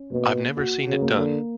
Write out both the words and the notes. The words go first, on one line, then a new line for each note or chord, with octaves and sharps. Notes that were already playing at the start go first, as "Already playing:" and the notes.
I've never seen it done.
Already playing: C#4
B2 A#3
F#4
C#3
A#3
D3